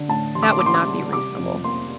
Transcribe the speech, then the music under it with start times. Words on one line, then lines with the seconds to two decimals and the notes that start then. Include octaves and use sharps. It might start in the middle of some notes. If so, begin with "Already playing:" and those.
That would not be reasonable.
Already playing: D3
0.09 A2 A5
0.35 A1 C6
0.43 D6
0.51 C6
0.59 A#3 D6
0.66 C6
0.74 D6
0.82 G3 C6
1.13 C3 D6
1.39 F2
1.64 A#3 C6